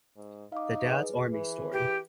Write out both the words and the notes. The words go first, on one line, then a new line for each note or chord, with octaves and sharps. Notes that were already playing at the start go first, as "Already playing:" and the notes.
The Dad's Army Story.
G#2
D#4 F5 D6
G#4 B4
E3
G4